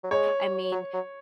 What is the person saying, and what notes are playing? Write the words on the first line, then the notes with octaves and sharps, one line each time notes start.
I mean,
F#3
G#3 C#5
F#3
F#3